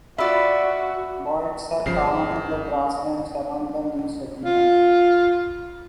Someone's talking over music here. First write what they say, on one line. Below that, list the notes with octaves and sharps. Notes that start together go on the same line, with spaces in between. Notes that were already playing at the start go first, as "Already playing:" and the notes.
Boids are common in the grasslands around the new settlement.
F4 F#4 D5 E5 B5 E6
G1 C#3 F3 C7
F4